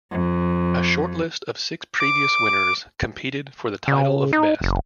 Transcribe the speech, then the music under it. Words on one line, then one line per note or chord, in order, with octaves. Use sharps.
A shortlist of six previous winners competed for the title of Best.
F2
D6
C#3
D#4
F#1